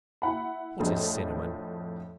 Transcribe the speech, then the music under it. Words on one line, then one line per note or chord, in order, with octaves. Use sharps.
What is Cinnamon?
E4 F#5 B5
F2 A2 F3 G#3 D4